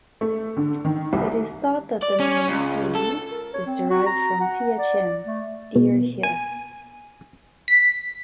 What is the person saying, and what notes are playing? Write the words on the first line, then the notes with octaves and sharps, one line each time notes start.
It is thought that the name Fyvie is derived from "Fia-chein" 'Deer hill'.
A3
D3
D#3
C2
D5
C#4
C#2
A4
A#4
C#5
C4
F#4
A#5
F#5
D5
A3
B2
G#5
B6